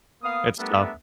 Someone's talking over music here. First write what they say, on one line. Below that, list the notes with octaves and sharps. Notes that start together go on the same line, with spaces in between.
It's tough.
A#3 B3 F5 D#6
G3 A3 B3 D4 A#4 E5